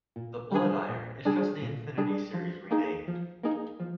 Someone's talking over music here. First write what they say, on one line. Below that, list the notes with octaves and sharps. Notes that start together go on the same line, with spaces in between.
The "Bloodiron" is just the Infinity series renamed.
A#2
G3 D4 G#4
A#2
G3 D4 G#4
A#2
G3 D4 G#4
F3
A#3 D#4 G#4
F3
A#3 D#4 G#4
F3